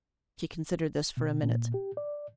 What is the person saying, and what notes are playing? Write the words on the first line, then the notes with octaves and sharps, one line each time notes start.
She considered this for a minute.
B2
A#2
G4
D5